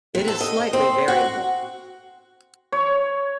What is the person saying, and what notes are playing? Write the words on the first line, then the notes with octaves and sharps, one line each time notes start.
It is slightly variable.
C3
A4
D#5
C4
F#4
C#5